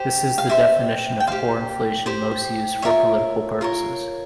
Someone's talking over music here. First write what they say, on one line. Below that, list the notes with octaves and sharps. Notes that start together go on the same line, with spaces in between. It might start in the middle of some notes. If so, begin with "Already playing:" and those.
This is the definition of "core inflation" most used for political purposes.
Already playing: G4 C5
F5
G4 C5 E5
G5
G4 C5 F5
G4 C5
F4 A#4 C#5 E5
F4 A#4 C#5